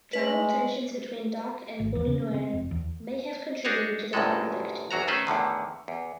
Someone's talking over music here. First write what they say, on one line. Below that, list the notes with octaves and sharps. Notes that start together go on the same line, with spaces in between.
Tribal tensions between Dok and Bul Nuer may have contributed to the conflict.
G#3 A3 B4
G#1
E2
C#3
C4
F1
E2
D4 D#4 F#4 G#4 C#5
G1 C2 F#2 A2 G#3 A4
G#1 E2 F#3 F#4 A#5
D#3 A3 C#4 B4 C5
E2 A2 D3 D#3
E2